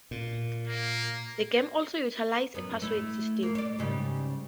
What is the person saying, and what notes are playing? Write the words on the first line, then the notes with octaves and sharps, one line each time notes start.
The game also utilizes a password system.
A#2
A#3
F#2 B3
A3 E4
A#3
C#5 D5
G#2 C#3 G3